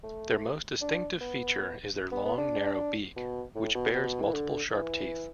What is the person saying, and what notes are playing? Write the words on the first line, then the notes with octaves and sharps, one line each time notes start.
Their most distinctive feature is their long, narrow beak, which bears multiple sharp teeth.
A3
D4
B3
B3
B3
D4
B2
A2
B2
B2
E3
D3
E3